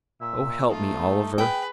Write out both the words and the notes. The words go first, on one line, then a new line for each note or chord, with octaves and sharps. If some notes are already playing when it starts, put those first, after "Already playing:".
"Oh help me, Oliver."
A#2 E5
A3 D#4 F4
G#4 B4 G5